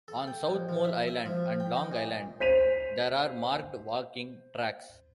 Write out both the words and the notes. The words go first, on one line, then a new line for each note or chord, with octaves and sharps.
On South Molle Island and Long Island there are marked walking tracks.
A4
G5
A#1
F3
E5
E5
F3
G5
D#4
A#2
C5 B6 D#7 F7